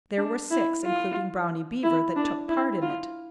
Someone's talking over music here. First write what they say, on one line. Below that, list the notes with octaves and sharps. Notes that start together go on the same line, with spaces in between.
There were six, including Brownie Beaver, that took part in it.
D4
E4
F4
E4
D4
E4
F4